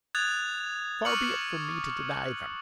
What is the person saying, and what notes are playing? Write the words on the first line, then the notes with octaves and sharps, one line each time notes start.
Far be it from me to deny them.
D#6 F#6 G#6 A6 F7
C#6 D6 F6 F#6 C#7 F#7